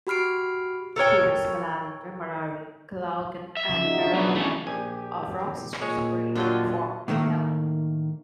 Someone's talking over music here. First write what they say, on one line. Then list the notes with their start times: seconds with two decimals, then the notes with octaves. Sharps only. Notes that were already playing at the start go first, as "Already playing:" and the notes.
Cruz, Malalinta, Mararigue, Calaocan, and Caraniogan of Roxas were separated to form Callang.
0.07 F#4 G4 B5 F6 C7 D7
0.96 A4 A#4 C#5 G5
3.57 E5
3.69 C#3 F3
3.84 D#4 F#4
4.01 D4 F4
4.13 F#3 B3
4.35 E3 A3 C#4 E4
4.67 A#1 G4 G#5
5.82 A#2 G#3 C#5
6.36 D3 F#3 F4 G4 D#5 A5
7.08 A2 D#3 A3 A#3